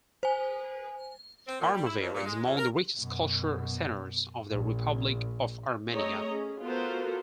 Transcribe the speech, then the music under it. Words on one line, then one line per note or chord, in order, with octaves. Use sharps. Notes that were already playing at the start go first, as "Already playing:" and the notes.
Armavir is among the richest cultural centres of the Republic of Armenia.
C5 G#5
C4
A#2
G3
E4
F2
A#2
G#3
F2
A#4
F#2 B2
A#1
A3 C4 G#4 C#5 D#5 A#5
C#4 G#4
B3 F4 F#4 A4 A#4 C5